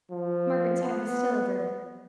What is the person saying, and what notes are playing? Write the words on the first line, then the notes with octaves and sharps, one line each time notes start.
Margaret's head was still averted.
F3
B3